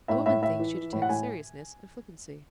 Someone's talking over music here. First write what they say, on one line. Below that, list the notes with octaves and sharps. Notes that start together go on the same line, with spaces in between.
A woman thinks she detects seriousness in flippancy.
A2 E5
A2 E5
A2 E5
E3
E3
A2
F#5
A2 G#5